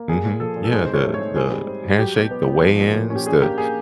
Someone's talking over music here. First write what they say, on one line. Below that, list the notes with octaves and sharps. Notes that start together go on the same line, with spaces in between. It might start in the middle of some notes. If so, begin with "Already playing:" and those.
mhm, yeah, the the handshake, the weigh-ins, the
Already playing: A#3
A#2 G#4
A#2
F3 A4
A#2
A4
G#2 G#4
C4 C5
C#5
A3
C#5
G#2
C4 G#4
G3
C4
G3
F#3 G4
B2
B3
B3
F3
A#2
A#2
C#4
G4
D4 G#4
A#3 G4
A#3 G#4